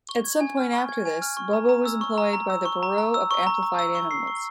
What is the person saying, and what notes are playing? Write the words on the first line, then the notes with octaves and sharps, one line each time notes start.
At some point after this, Bobo was employed by the Bureau of Amplified Animals.
C#6
G#6
G#5
F6
C#6
G#6
G#5
F6
C#6
A#5
A#5
E6
C#6
A#5
A#5
E6
C#6
A#5
A#5
E6
C#6
A#5
A#5
E6
C#6
C7
C#6